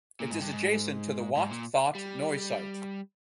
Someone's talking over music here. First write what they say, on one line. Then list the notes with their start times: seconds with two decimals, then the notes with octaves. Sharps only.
It is adjacent to the Wat That Noi site.
0.20 A#2
0.31 G#2
0.41 G2
0.53 G#2
1.36 G#2
1.51 A#2
1.95 G3